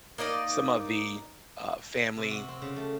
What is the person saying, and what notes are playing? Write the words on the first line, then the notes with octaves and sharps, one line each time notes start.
some of the, uh, family
A#3 D#4 D5 D#5
C3
F#4
C4
C#3
A3